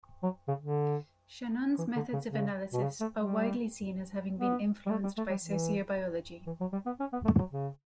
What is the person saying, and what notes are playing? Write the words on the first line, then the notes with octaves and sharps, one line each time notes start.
Chagnon's methods of analysis are widely seen as having been influenced by sociobiology.
F#3
C#3
D3
E3
D3
C#3
C#3
B2
C#3
A3
G3
B3
G3
A3
G3
A3
G3
E3
E3
F#3
G3
B3
C#4
B3
A3
F#3
C#3